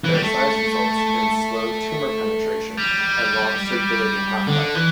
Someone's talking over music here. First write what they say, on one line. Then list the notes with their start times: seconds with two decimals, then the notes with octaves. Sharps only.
Their size results in slow tumor penetration and long circulating half-life.
0.04 E3
0.14 G3
0.23 A3
2.77 G3
4.47 D3
4.75 E3